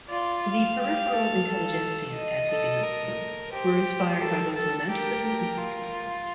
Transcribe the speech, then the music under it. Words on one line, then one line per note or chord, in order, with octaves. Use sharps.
The peripheral intelligentsia, as he denotes them, were inspired by both romanticism and populism.
F4 D5
F5
G4
A4
A4
D#5
A4
A#4
G4 C5
A4 A#4
A4
G4 A#4
F4